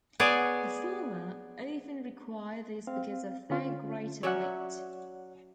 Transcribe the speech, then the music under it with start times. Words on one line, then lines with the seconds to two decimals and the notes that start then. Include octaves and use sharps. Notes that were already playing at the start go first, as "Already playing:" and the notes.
The former often require these because of their greater weight.
0.20 B3 G#4 C#5 D5 G#5
2.87 C4 F5
3.50 D3 C#4 F4
4.23 F#3 C#4 C#5 D5 E5 F#5